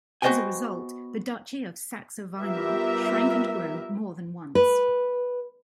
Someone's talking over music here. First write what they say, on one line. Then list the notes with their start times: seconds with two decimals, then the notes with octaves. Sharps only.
As a result, the Duchy of Saxe-Weimar shrank and grew more than once.
0.22 B3 F#4 C5 D#5 G5 G#5
2.41 G3 B3 F4 G4 A#4 E5
4.55 B4